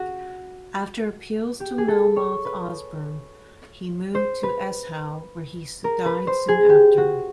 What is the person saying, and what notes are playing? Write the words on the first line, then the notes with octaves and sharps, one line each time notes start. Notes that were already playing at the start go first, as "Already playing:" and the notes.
After appeals to Melmoth Osborn he moved to Eshowe, where he died soon after.
Already playing: F#4
G4
G#4
A4
C#5
B4
C5
B4
A#4
B4
C5
G#4
G4
F#4